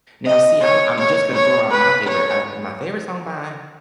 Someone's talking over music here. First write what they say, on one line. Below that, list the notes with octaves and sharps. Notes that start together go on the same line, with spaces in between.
Now see, I'm I'm just gonna throw out my favorite, uh, my favorite song by,
D#5
C#5
C#5
C#5
B4
C#5